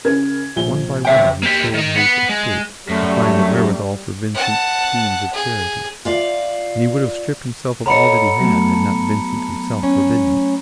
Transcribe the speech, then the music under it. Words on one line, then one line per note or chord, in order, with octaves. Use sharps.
One by one he sold his estates to find the wherewithal for Vincent's schemes of charity, and he would have stripped himself of all that he had, had not Vincent himself forbidden it.
C#3 A#4 G#6
A#1 G7
C#3 E5 G5
A#3 G4
D#3 D#5
B3 F#5
G#3
F#2 G3 A3
F#5 A5
G#4
F4 D5 F5
A4 C#5 D#5 F#5 A#5 B5 C#7
F#3 A3 B3 A5
C#4